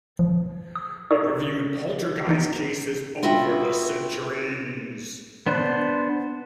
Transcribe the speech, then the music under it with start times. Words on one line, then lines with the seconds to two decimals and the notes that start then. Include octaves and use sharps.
It reviewed poltergeist cases over the centuries.
0.19 F3
0.76 D#6
1.11 D#4 A4 A#4 D5 C#6 D#6
2.27 E3 B3 D#4
3.23 F4 F#4 B4 E5 F#5 G5
5.46 B3 D4 C5 F#6